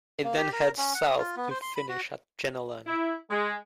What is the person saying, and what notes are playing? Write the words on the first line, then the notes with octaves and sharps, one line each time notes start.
It then heads south to finish at Jenolan.
A#3
G4
A#4
C#4
F#5
D#6
F4
B3
C5
C6
B5
F#4
E4
G#3